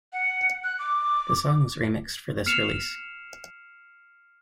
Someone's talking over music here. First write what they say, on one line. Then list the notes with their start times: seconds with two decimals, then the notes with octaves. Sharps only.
The song was remixed for this release.
0.13 F#5
0.64 F#6
0.79 D6
2.46 F6 C7 C#7 E7 F7